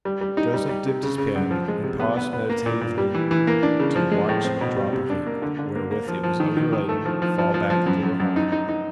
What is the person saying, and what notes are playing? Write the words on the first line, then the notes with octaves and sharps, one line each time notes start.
Joseph dipped his pen, and paused meditatively to watch a drop of ink, wherewith it was overladen, fall back into the horn.
G3
G3
D#4
G3
G3
C3
C#3
C#3
F#2
F3
G#3
C3
B3
B3
B3
A#3
A#2
A#2
G3
E3
E3
A#3
D4
C#3
F3
G#3
A2
C4
B2
G3
C3
D4
A#3
D3
D3
A#3
A#3
F3
F3
D#3
D#3
D#3
A3
F3
F3
F3
F3
F3
F#2
F#2
F#2
D#4
D#4
D#4